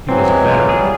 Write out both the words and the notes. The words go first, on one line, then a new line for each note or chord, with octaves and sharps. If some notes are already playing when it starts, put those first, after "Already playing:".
He was a veteran.
E3 F#3 C4
G#3
F4
G#4
G3